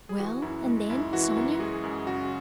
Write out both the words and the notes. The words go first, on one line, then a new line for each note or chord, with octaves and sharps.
"Well, and then, Sonya?..."
G#4
E3 F#4
F#2 E4
G#3
F#2 E4
E3 F#4
F#2
G#3 G#4
F#2
C#3 F#4